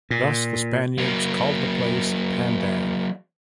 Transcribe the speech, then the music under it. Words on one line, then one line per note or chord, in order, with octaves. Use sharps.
Thus, the Spaniards called the place Pandan.
A#2
F#3 A#3